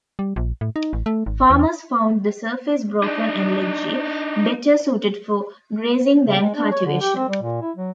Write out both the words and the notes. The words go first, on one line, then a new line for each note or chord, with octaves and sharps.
Farmers found the surface broken and ledgy, better suited for grazing than cultivation.
G3
A#1
A2
D#4
A1
A3
G#1
E2
D4 D#4
C#3
G#3
D4
C#5
D3
G4
C4
G3
A#2
E4
F#3